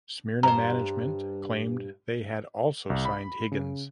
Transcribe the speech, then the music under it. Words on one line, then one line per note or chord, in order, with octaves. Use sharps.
Smyrna management claimed they had also signed Higgins.
G2 C5 A#5
C2
B5
C#3